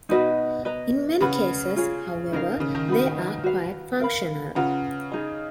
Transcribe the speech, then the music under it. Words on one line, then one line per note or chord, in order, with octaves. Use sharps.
In many cases however, they are quite functional.
B2 D#4 F#4 B4 D#5
B4 D#5 A#5
C#3 B4 F#5 B5
F4 G#4 C#5
C#3 D#4 A#4 F5
C#3
D#3
D#4 F#4 B4
F#4 B4 F5
A#4 F5 B5
C#3 F4 B4 F#5 A#5
D#4 G#4 D#5 A#5